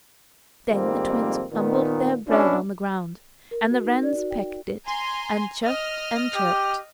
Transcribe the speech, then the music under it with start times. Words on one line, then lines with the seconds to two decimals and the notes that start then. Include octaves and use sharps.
Then the twins crumbled their bread on the ground, and the wrens pecked it, and chirruped and chirped.
0.68 F2 G#2 D#3 G3 A#3 C4
1.51 A#2 D#3 B3
2.27 B2 C#4 D4 E4
3.51 A#4
3.70 F#4
3.84 D#4
4.03 D5
4.17 F#4
4.31 G5
4.86 G#5 A#5 C6
5.64 D#5 F6
6.36 G4